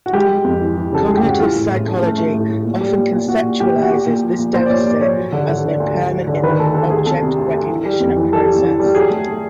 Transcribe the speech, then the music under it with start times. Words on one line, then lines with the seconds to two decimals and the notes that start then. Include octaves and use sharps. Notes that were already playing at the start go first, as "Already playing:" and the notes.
Cognitive psychology often conceptualizes this deficit as an impairment in the object recognition process.
0.06 F#4
0.13 G#3 G4
0.29 G#3
0.44 F2
0.61 E3
0.77 E3
0.92 C#3 A4
1.06 G#3 G#4
1.17 G4
1.23 C#3
1.29 F#4
1.39 E3 F4
1.56 A2
1.70 A2
1.87 A3
2.03 A3
2.18 A3
2.35 A2
2.49 A2
2.65 A#2
2.81 G3
2.97 A#2
3.12 A#2
3.28 A#2 F#4
3.44 A#2
3.60 A#2 G4
3.76 A#2
3.82 F#4
3.91 A#2 G4
4.07 A#2
4.23 F3
4.39 A#2
4.54 A#2 C5
4.66 D5
4.70 A#2 C#5
4.85 A#2 D5
5.01 F3 C#5
5.17 F#3
5.32 D3
5.49 D3
5.65 D3
5.80 D2
5.97 D3
6.11 F#3
6.28 D3
6.43 D#3 B4
6.59 D2 A4
6.75 D2 A4
6.91 D2 G#4
7.06 C3 A4
7.22 C3
7.38 D2
7.54 D2
7.69 E3
7.85 G3
8.00 F2
8.16 E3
8.32 G3 A4
8.49 E3
8.64 E3
8.80 G3
8.95 F#3 G#4
9.10 A3
9.27 A3